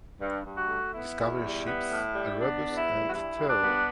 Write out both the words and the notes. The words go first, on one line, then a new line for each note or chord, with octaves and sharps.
Discovery ships Erebus and Terror.
G2
G2
F#4
A3
B3 E4
E2
G3
B3
A2
G3
B3 D4
E2
E4
G3
F#4
G2 E4
G2
D4
B3